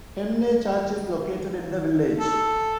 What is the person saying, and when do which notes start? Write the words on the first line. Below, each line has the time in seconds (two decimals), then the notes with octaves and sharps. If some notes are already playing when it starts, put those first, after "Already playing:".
Hemne Church is located in the village.
2.20 A4